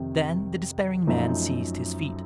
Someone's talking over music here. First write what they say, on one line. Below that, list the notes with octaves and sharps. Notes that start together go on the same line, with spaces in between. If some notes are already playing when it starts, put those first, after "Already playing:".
Then the despairing man seized his feet.
Already playing: F2 C3 D#3
F#2 F3 A3 D#4